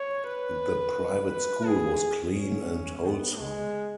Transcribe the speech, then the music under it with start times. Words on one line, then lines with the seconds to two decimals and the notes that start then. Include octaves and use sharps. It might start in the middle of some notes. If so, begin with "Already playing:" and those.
The private school was clean and wholesome.
Already playing: C#5
0.27 B4
1.32 B4
1.67 G#4
2.36 C#4
3.06 B3
3.41 G#3